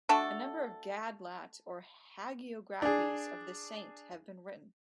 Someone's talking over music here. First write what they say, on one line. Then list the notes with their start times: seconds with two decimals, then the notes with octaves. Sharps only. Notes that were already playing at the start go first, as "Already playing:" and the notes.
A number of "gadlat" or hagiographies of this saint have been written.
0.09 A3 D4 F#4 A4
2.82 D4 G#4